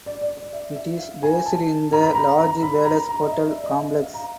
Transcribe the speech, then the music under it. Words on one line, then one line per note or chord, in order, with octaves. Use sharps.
It is based in the large Palace Hotel complex.
D5
D5
D5
E5
E5
F5
G#5
A5
A#5
B5
A#5
A#5
B5
A#5
A#5
D#5
E5
D5
D#5
F5
E5
F5
A#5